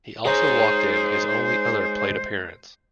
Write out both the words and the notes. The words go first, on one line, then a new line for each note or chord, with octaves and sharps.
He also walked in his only other plate appearance.
G#3 D#4 G#4 C5 C#5 A#5